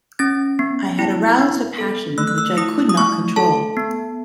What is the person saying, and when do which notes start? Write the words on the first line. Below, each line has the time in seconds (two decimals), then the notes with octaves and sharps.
I had aroused a passion which I could not control.
0.19 C#4 A6
0.59 B3
0.99 E4
1.39 B3
1.78 A4
2.18 A3 E6
2.27 F#6
2.38 E6
2.57 E4 D#6
2.89 D#6
2.97 A3 C#6
3.36 A4 A5
3.77 B3